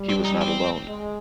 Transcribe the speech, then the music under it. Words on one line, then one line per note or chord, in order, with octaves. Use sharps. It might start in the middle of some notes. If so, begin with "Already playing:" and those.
He was not alone.
Already playing: G3
C4
D#4
C4
G#3